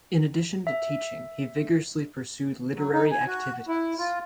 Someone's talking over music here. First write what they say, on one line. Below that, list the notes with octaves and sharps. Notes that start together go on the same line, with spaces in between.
In addition to teaching, he vigorously pursued literary activities.
E5
F#3
D#4
G#5
F#4
E4
F4